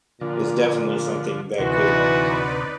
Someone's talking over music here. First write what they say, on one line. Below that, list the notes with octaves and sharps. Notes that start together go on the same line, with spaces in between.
is definitely something that could,
A#2 D3 F3
D2 C3 E3 D#4 F#4 B4 D5